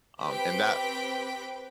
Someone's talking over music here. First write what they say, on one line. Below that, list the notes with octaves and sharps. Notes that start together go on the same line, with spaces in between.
um, and that,
C4 G4 B4 G5 B6 D7